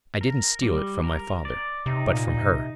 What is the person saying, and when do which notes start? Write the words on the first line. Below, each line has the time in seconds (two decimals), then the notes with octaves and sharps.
I didn't steal it from my father, but from her.
0.21 A#4
0.62 G3
1.04 A#4
1.45 D5
1.86 C3 D#4
2.14 A#2
2.27 D#4
2.41 C3